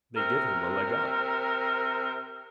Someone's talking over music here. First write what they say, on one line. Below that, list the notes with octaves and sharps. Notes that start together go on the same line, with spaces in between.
They give him a leg up.
C3 A#4